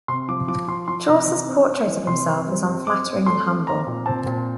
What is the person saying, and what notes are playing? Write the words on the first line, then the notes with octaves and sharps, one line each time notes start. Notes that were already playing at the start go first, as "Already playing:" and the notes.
Chaucer's portrait of himself is unflattering and humble.
C3 C6
F3 D6
F3 D6
F3 C6
F3 C6
C3 A#5
E3
C4
C4
E3
C3 C6
C4
G3
C4
C4 D6
C4
A3 C6
C4
C4 A#5
A#2
C4 A5
A#2